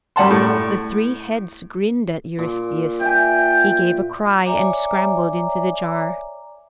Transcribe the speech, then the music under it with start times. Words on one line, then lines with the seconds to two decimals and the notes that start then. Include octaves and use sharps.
The three heads grinned at Eurystheus; he gave a cry and scrambled into the jar.
0.16 F#2 G3 F#5 A5 C6
0.30 A2
2.38 A#2
3.01 E5 G5 G#5
4.45 C#5 D5 E5 G#5 A#5 D6